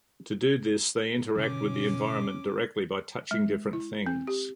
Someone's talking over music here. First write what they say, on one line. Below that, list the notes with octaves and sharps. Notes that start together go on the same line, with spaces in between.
To do this, they interact with the environment directly by touching different things.
B2 D3 D#3 C#4 D6
G#3
E4
C4
G4